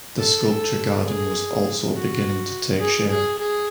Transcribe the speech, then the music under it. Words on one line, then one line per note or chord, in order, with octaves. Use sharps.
The sculpture garden was also beginning to take shape.
A4
A4
G#4
F#4
G#4
G#4
G#4